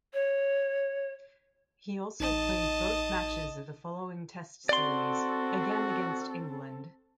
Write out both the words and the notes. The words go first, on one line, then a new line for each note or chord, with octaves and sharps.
He also played both matches of the following Test series, again against England.
C#5
A1 D#4 D#5 A5
C4 F#4 A4 D5 C6